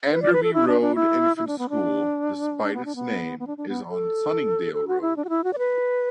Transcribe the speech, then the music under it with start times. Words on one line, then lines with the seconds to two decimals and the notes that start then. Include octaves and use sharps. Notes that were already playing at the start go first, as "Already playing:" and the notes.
Enderby Road Infants School, despite its name, is on Sunningdale Road.
0.12 B4
0.22 D5
0.33 B4
0.43 A4
0.53 E4
0.68 D4
0.82 D4
0.95 E4
1.37 E4
1.47 D4
1.59 B3
1.69 D4
2.64 D4
2.74 B3
2.85 D4
2.96 B3
3.39 B3
3.47 D4
3.58 D4
3.69 B3
3.90 A4
4.73 A4
4.88 F#4
5.01 E4
5.17 D4
5.25 F#4
5.29 E4
5.44 F#4
5.53 D5
5.58 B4